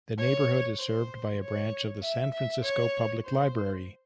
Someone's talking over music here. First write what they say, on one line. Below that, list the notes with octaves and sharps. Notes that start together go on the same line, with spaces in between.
The neighborhood is served by a branch of the San Francisco Public Library.
C#5
C5
C#5
E5
E5
C#5
C5